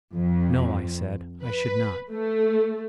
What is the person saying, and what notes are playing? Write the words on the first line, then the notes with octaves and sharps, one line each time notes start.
No, I said, I should not.
F2
B4
A3